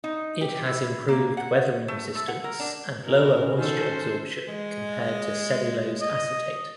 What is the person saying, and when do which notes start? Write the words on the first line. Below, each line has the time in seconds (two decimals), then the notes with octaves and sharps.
It has improved weathering resistance and lower moisture absorption compared to cellulose acetate.
0.04 D#4
0.41 G4
0.66 E4
1.08 A#3
1.37 F#5
1.88 A3
2.15 A3
2.28 F#5
2.44 A#4
2.59 D4
3.05 B2 C#4 A#4
3.59 D#3 A4 C5
4.48 G#3
6.01 D#5